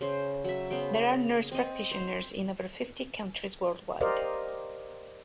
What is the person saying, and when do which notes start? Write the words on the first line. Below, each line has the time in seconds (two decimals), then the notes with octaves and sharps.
There are nurse practitioners in over fifty countries worldwide.
0.01 C#3 C5
0.44 F#3 E5
0.70 C#3 B3 C5 G5
1.52 C4 D#5
1.92 C5
4.01 G4 A#4 C5 D5 D#5 F5